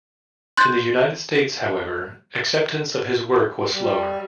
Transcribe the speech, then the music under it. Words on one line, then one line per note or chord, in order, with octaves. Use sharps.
In the United States, however, acceptance of his work was slower.
C6 F#6 G6 A6
G3